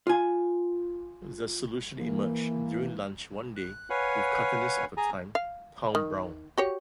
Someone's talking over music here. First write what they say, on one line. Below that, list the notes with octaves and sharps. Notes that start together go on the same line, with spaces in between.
The solution emerged during lunch one day with cartoonist of the time, Tom Browne.
F4 G#5
E3 A#3
F#6
B4 C#5 F5 F#5 G#5
G#4 G#5 A#5
F5
D#3
F#4 G4 C#5